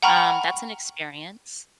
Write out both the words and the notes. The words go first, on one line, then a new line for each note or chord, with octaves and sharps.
Um, that's an experience."
F#5 G5 A#5 B5 C#6 F6